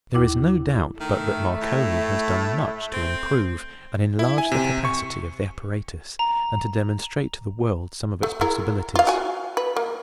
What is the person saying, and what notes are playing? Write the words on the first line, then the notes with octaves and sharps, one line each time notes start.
There is no doubt but that Marconi has done much to improve and enlarge the capacity of the apparatus and to demonstrate to the world some of its possibilities.
D#2 E4 D6
D#3 A3
A2
C4
E4
G#5
C3
C#6
A#5
A3
E4 G#4 A#4
F4 F5
F#4 G#5
B4
A#3